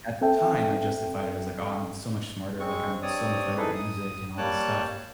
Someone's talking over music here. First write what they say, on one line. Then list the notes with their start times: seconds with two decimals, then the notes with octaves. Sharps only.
At the time, I justified it, I was like, "Oh, I'm so much smarter, like, I'm so much better at music, and all this stuff,"
0.21 C4 A4 E5 G5
2.60 G#3 C4 C#6
3.02 G2 C4 C#5 D5 D#6
3.57 D#4 E4 G#4 A4 B4
3.74 D#6
4.38 G3 A#3 C#5 G5 A5 F#6